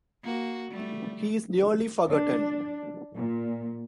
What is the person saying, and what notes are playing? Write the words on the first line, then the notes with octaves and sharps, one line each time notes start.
He is nearly forgotten.
A#3 F#4
G3 A3
D4
A#2